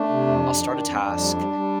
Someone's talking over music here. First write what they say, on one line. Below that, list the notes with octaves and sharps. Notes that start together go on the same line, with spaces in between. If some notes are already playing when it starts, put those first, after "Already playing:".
I'll start a task,
Already playing: A3 D4
C3
F2
F2
D#3
F2
C4
F2 D4
G3
G3
G3